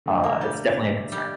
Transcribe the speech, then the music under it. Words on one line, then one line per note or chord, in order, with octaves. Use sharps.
uh, it's definitely a concern.
D3 A3 D4
A#3
G3
G3